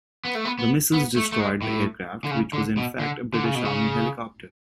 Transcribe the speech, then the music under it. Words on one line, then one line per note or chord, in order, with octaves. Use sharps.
The missiles destroyed the aircraft, which was in fact a British Army helicopter.
B3
A3
B3
B3
B3
A3
A3
G#3
A2
D3
C#3
D3
B2
D3
D3
C#3
B2
C#3